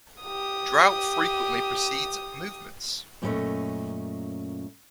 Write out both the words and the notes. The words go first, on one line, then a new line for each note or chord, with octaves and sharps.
Drought frequently precedes movements.
G4 D#6
F#2 A#2 G3 A3 C#4 D#5